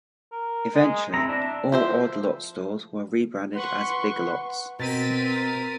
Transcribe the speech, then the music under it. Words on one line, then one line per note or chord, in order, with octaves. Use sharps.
Eventually, all Odd Lots stores were rebranded as Big Lots.
A#4
G#3
C4 E4 A#5
D4 E5
F3 C5 E5
B4 F#5 C6 C#6
B2 C4 A#4 A6 B6 D#7